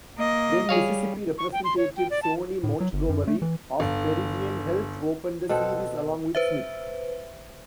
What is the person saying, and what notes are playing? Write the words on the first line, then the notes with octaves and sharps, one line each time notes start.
Then-Mississippi Representative Sonny Montgomery of Meridian helped open the series along with Smith.
A#3 D#5
G3 G#4 C#5 F5
C#6
G5
C6
C#5
G5
D5
A5
A2
F#3
G1
F#2
A3
E3
G1
B2 C4 A4 F#5
B4 C5 E5